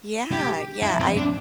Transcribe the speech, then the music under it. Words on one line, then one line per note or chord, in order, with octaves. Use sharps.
Yeah, yeah, I
G4
E4
C4
D4